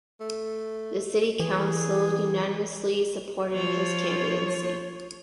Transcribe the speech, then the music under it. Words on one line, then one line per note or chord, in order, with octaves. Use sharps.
The City Council unanimously supported his candidacy.
A3
E3 G#4
F3 C#5